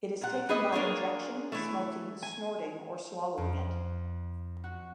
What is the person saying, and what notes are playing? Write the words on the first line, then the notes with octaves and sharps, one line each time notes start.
It is taken by injection, smoking, snorting, or swallowing it.
A#2 F#5
G3 G#4 B4 D#5
A#3 D4 F4 G#4 C#5
E3 A3
G#5
F2
F#4